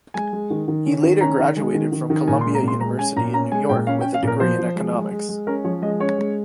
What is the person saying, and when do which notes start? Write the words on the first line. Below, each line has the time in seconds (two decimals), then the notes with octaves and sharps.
He later graduated from Columbia University in New York with a degree in economics.
0.14 G#3 G#5
0.33 G#3
0.50 D#3
0.68 D#3
0.86 C#4
1.03 D#3
1.21 C#4 A#5
1.39 D#3
1.57 G#3
1.74 D#3
1.92 D#3
2.10 D#3
2.28 A#2 G#5
2.41 C6
2.45 G#3
2.54 A#5
2.63 A#2 C6
2.80 G#3 A#5
2.99 C#4 G#5
3.16 A#2 A#5
3.34 C#4 A#5
3.52 G#3 G#5
3.69 A#2 G5
3.87 C#4 F5
4.01 G5
4.04 C#4
4.14 F5
4.23 A#2 A#4
4.40 F3 C5
4.59 F3
4.76 G#3
4.94 G#3
5.11 G#3
5.29 G#3
5.47 C#4 A#4
5.64 F3 C#5
5.82 G#3 D#5
6.00 C#4 C#5
6.18 G#3